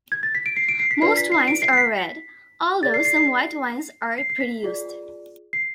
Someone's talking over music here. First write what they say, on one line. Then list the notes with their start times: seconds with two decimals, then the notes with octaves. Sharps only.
Most wines are red, although some white wines are produced.
0.12 G#6
0.23 A6
0.35 B6
0.46 D7
0.57 C7
0.68 D7
0.79 C7
0.91 B6
1.02 D4 F4 B4 D5 C7
1.17 B6
1.32 C7
1.48 D7
1.62 C7
1.73 C7
1.77 B6
2.83 G#4 D5 A6
2.94 C7
3.05 C7
3.16 C7
4.18 C7
4.30 C7
4.40 B6
4.63 F4 G#4 D5
5.53 C7